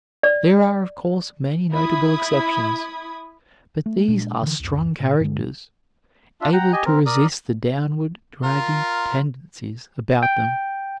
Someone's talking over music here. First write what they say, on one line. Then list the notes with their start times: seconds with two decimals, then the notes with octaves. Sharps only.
There are, of course, many notable exceptions, but these are strong characters, able to resist the downward-dragging tendencies about them.
0.23 D5
1.74 E4 B5 D#6 G#6
3.86 A3
4.08 A#2 G#3 D4
4.42 D3 E3
4.60 C#2 F#2
5.00 A#2
5.20 G2 D3 F#3 G#3
6.41 D4 F4 E5
6.53 F#5 G5 A#5
6.73 G4 D#5 G#5
6.85 C4 A#4
7.06 A#4 D5 D#6
8.43 F4 A#4
10.23 G5